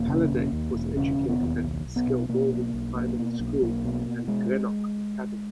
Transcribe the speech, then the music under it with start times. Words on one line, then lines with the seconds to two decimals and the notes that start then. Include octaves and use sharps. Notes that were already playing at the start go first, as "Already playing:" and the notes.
Halliday was educated at Skelmorlie Primary School and Greenock Academy.
Already playing: E1 A#3
0.08 C#3
0.30 E1
0.52 D#2
0.74 E1
0.97 C#3 C#4
1.19 E1
1.29 B3
1.41 D#2
1.63 B1
1.85 B1
1.96 B3
2.07 B2
2.29 B2 A#3
2.52 B1
2.74 B1
2.96 B2 A#3
3.17 B2
3.39 B1
3.62 B1 A#3
3.85 B2
4.06 B2
4.28 G#3